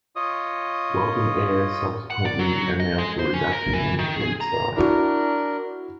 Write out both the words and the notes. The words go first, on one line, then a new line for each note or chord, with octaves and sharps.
Welcome Air subsequently announced a reduction in the fleet size.
F4 C#5 D#5 D#6
F#5
D5
F#3
D#5
G#3
C5
C#4
A#4
E3
D#3
G#4
A#5
D4 E4 F#4 A#4